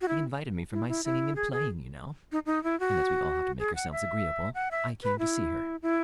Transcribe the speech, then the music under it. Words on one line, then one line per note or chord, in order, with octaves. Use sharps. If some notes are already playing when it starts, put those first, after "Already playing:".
She invited me for my singing and playing, you know: and as we all have to make ourselves agreeable, I came to see her.
F#4
E4
E4
E4
E4
G#4
G#4
D#4
D#4
E4
F#4
G#4
F#5
E5
F#5
E5
B4
E4
E4